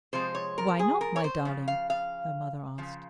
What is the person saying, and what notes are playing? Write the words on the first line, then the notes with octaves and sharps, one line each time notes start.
"Why not, my darling?" her mother asked.
C3 F3 G#3 C5
C#5
A#4
G#4
A#4
C#5
C5
C#3 F3
F5
F5
C#3 F3